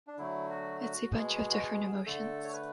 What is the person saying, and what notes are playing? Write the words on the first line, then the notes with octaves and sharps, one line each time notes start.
It's a bunch of different emotions.
D4
D3 F#3 A3 E4
F#4
F#4
B2 G#3 B3 G#4
F#4
G#4
D3 A3 A4
C#5
B4